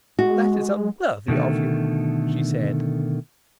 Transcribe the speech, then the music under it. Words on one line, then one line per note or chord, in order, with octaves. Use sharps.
"That is unworthy of you," she said.
G#3 F#4
B2 D3 D#3 A3